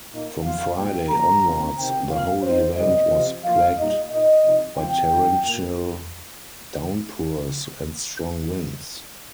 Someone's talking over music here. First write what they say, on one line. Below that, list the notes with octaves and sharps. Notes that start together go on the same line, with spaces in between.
From Friday onwards the whole event was plagued by torrential downpours and strong winds.
A#2 A#3 D#4
F3 C4 F4 F5
A#2 G3 D#4 G5
F3 A#3 F4 A#5
C3 D#3 C4 F4
C3 D#3 C4 G5
C3 F3 A#3 F5
F3 C4 D#4 C5
C3 D#3 G3 D#5
C3 F3 C4 F4
F3 A#3 F4 F5
A#2 G3 D#4 D#5
A#2 A#3 D#4 D#5
C3 F3 D#4
F3 C4 F4 G5
D#3 G3 D#4
A#2 A#3 F4